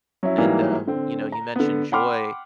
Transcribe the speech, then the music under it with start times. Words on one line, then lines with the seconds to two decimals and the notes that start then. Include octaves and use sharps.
And, um, you know you mentioned joy
0.23 F#3 C#4 E4
0.38 G#2 E3 F#3 G3 A#3
0.87 D3 C4
1.32 A#5
1.56 D3 B3
1.92 F#5 G5 B5 C6 D6 F6